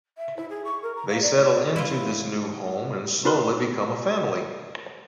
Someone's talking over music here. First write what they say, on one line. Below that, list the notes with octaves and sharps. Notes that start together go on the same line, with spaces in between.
They settle into this new home and slowly become a family.
E5
E4
G#4
C#6
A#4
A#5
F5
D5
C#5
D5
E4 F4
D#4 F#4 A#4 B4 B5 C6